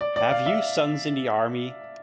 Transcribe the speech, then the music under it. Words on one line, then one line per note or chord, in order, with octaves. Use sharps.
Have you sons in the army?
D5
D5
F5
E5